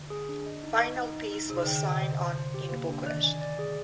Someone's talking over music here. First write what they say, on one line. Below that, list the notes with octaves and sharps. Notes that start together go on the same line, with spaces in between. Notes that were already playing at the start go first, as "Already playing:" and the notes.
Final peace was signed on in Bucharest.
Already playing: D3
G#4
D4
D#5
D#4
D#5
D#4
D#4
D#4
C3 G#4
D3 G5
D3
C3 D#5
C5
C5
C5
G4
A#3
D4
D#3 D5
G#5
D5
G#4